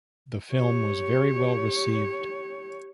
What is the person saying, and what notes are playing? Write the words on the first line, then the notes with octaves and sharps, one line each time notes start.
The film was very well received.
G4 C#5